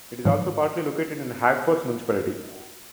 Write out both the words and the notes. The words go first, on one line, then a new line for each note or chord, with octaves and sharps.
It is also partly located in Hagfors Municipality.
G#2 D#3 F3